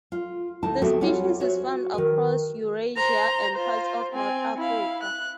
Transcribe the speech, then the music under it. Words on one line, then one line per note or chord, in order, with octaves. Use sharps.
This species is found across Eurasia and parts of North Africa.
F4
D2 D#4 E4 A5
B3 C4 F#4 A4 E5
G3 C#4 F4 C#5 F#5
F#4 C5 C#5 E5
D#3 B4
C5 A#5
F4 C5
C4 G#5
E4 F5
F#6